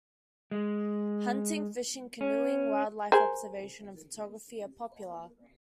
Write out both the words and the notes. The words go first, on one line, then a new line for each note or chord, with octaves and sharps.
Hunting, fishing, canoeing, wildlife observation, and photography are popular.
G#3
C#4
G#4 A#4 C5